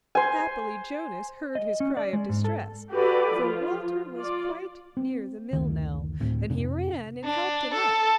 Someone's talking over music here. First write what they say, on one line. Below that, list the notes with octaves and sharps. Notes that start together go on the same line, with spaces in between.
Happily Jonas heard his cry of distress, for Walter was quite near the mill now, and he ran and helped him up.
C5 G#5
D#5
C#4
D5
G#3
G#2
A4
F#4 G4 A4 B4 D5
F3 F4
F4 D5
C4
F#1 D2 D3 D#3
D2 A2 D3 C4
F2 C3 D4
D4
A4 A5